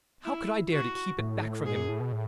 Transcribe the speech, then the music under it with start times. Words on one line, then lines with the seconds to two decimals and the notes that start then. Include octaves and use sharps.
How could I dare to keep it back from him?
0.25 E4
0.72 F#4
1.18 A2
1.37 G#2
1.42 A2
1.66 G#2 G#4
1.77 F#2
1.89 A2
2.00 B2
2.12 A2